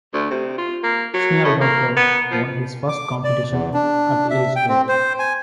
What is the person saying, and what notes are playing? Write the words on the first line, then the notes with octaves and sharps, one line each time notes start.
Schnelldorfer won his first competition at age eight.
D2
C3
F4
A#3
F#3
A2
A#3
B3
F3
D6
D5
E2
D4
E5
G5
C4
C5
G#5